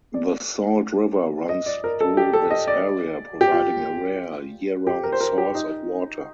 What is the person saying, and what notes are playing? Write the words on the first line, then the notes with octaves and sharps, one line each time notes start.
The Salt River runs through this area, providing a rare, year-round source of water.
D5
D#5
D5
A#4
A4
G4
A4
D#5
D5
G4
F4
G4
A#4
C5
A#4
G4
D#4